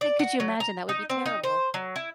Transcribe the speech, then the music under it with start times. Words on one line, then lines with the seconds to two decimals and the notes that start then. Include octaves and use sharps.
and could you imagine? That would be terrible.
0.01 D5
0.19 F#4
0.40 F#3
0.60 A#5
0.89 D#4
1.10 C4
1.26 D#4
1.43 C5
1.74 F#3
1.96 E4